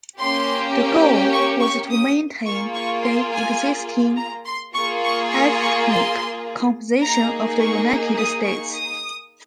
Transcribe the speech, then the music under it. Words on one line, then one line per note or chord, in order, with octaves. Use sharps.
The goal was to maintain the existing ethnic composition of the United States.
A#3 C#4 G4 C6
C#6
C#6
D#6
A#3 F4 G#4 C#6
C#6
C6
G#5
A#5
C6
A#3 F4 G#4 C#6
C#6
C#6
C#6
C6
A#3 D#4 G#4 A#5
C#6
D#6
C#6
D#6